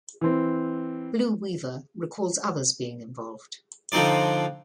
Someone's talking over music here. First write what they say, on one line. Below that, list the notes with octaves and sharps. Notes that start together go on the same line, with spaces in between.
Blue Weaver recalls others being involved.
E3 C4
D3 F3 C4 D#4 D5